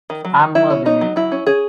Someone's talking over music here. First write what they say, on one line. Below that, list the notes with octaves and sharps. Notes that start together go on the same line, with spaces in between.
I'm loving it.
D#3
F#3
D#3
F#3 E4
C#4
C#4 D#4
F#3
F#3 E4
C#4
C#4 G#4